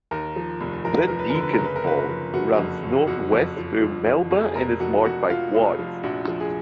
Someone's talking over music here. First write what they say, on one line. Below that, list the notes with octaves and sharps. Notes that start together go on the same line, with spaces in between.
The Deakin Fault runs north west through Melba and is marked by quartz.
D#2 A#4
F3
F1
F3 A#4
B4
F3 A#4
B4
D3 A#4
B4
A#4
F#1
B4
A#4
F#1 B4
A#4
F3
F#1 F#4
F2
F#1
F2 F#4
F2
F3
F3
F3
F2
G#4
F1 A#4
F2 F#4
F2 F#4
F3 F4
F1
F3
A#1 F#4
F3
G#4